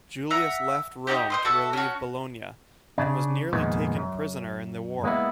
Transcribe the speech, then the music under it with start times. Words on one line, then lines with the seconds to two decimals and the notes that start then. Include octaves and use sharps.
Julius left Rome to relieve Bologna, and was nearly taken prisoner in the war.
0.30 E5 F#5 A#5
1.07 D#4 E4 F#4 G4
1.30 C5 D#5 C6
1.45 F#4 A4 E5
1.73 C#4 F#4
2.98 C#3 D4
3.53 C2 F2 A#2 D#3 G#3 B3
3.95 F#2
5.04 G#3 A#3 B3 E4